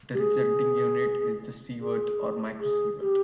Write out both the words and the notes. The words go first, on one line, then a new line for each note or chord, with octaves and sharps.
The resulting unit is the sievert or microsievert.
G4
G#4
G#4
G#4
G4